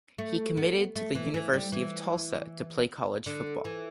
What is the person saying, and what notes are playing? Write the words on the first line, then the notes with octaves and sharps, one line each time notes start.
He committed to the University of Tulsa to play college football.
A3
B3
A3
E3
E3
G3
E3
D3
E3